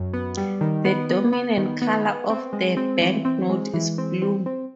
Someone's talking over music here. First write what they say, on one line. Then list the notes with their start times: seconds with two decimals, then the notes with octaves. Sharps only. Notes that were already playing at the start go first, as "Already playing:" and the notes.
The dominant colour of the banknote is blue.
Already playing: F#2
0.13 B3
0.37 G3
0.61 D#3
0.85 B3
1.10 B3
1.33 B3
1.58 D#3
1.82 B3
2.05 B3
2.30 C4
2.53 G#3
2.77 C4
3.01 E3
3.25 C4
3.50 G#3
3.74 E3
3.98 C4
4.22 C4
4.46 C4